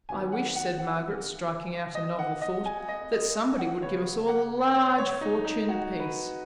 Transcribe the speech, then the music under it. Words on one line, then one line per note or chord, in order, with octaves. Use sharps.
"I wish," said Margaret, striking out a novel thought, "that somebody would give us all a large fortune apiece!"
D#3 F#3 B3 G#5
F#5
F#5
F#5
D#5
F#5
D#5
G#5
D#5
D#5
F#5
C#3 B3 C#5
F#5
C#5
C#5
D#4
D#4
F#4
B4